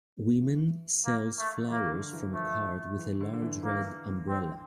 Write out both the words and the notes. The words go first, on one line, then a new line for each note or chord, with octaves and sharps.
Women sells flowers from a cart with a large red umbrella.
E3
A#3
A3
E3 A#3
D3
E3
F3 A3
E3
D3
D3
E3
E3 A#3
C4